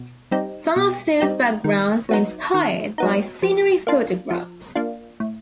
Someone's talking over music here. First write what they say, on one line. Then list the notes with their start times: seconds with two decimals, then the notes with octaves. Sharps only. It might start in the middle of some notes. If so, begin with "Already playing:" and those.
Some of those backgrounds were inspired by scenery photographs.
Already playing: B2
0.31 G3 C4 D#4
0.76 B2
1.20 G3 C4 D#4
1.64 D#3
2.09 F#3 B3 D#4
2.54 D#3
2.98 F#3 B3 D#4
3.42 F3
3.87 A#3 D4 F4
4.31 F3
4.75 A#3 D4 F4
5.20 A2